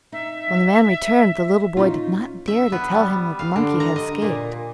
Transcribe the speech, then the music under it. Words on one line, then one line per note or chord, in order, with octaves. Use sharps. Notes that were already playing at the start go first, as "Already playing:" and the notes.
When the man returned the little boy did not dare to tell him that the monkey had escaped.
D#4 E5
C#4 D#4 F4
E5
B3
G3
F5
D3
A#5
D#5
A#2